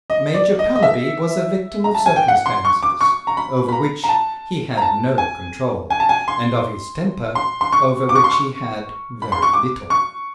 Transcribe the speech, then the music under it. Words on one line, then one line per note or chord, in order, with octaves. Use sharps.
Major Pallaby was a victim of circumstances, over which he had no control, and of his temper, over which he had very little.
D#5
D5
D#5
D#5
E5
A#5
A5
G#5
G5
F#5
C6
C#6
D6
C#6
A#5
B5
B5
A#5
A#5
A5
A#5
A5
G#5
G#5
A5
G#5
C6
C6
C6
C#6
D6
C#6
C6
C#6
B5
C6
C#6
D6
C#6